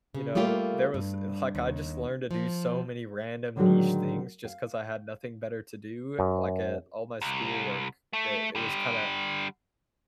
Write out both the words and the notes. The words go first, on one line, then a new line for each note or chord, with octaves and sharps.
you know, there was, e like, I just learned to do so many random niche things just 'cause I had nothing better to do, like, at all my schoolwork, eh, it was kinda,
C#3
G3 A3 A#3 F4 G4
G2
D#2
F3
A2 D3 D#3 F3 F#3 G#3
F5
F#2
C2
A3
D3 G3